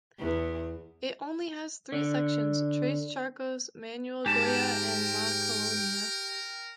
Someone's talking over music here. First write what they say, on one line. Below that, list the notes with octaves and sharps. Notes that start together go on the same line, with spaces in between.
It only has three Sections: Tres Charcos, Manuel Goya and La Colonia.
E2
D3
G#2 G4 A#4 G5 A5